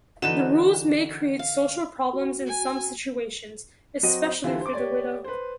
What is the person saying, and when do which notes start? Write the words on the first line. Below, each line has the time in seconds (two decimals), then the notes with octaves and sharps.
The rules may create social problems in some situations, especially for the widow.
0.22 D3 E3 D#4 F#4 B4 E7
1.39 F5
2.13 F#4
2.46 G#5
4.03 F#3 C4 F#4 D#5 D#7
4.44 D3 E3 F4 G4
4.61 C5 D6
4.73 G4 C#5 D5
5.24 B4 C5